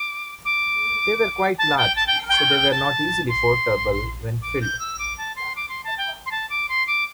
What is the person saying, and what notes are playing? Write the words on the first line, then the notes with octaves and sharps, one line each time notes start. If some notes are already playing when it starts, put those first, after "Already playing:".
They were quite large, so they were not easily portable when filled.
Already playing: D6
D6
A5
G5
A5
G5
G5
A5
C6
D6
G6
E6
D6
A5
C6
D6
C6
A5
G5
C6
A5
D6
C6
D6